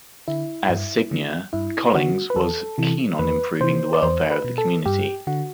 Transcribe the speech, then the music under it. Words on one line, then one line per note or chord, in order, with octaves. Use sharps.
As seigneur, Collings was keen on improving the welfare of the community.
D3 E4
G2
D3
G2 E4
D3 F#4
B4
E2 A4
C3 E3
E2 B4
C3 E3 C5
D5
E2 C5
B4
B2
A4
G2 G4
D3 F#4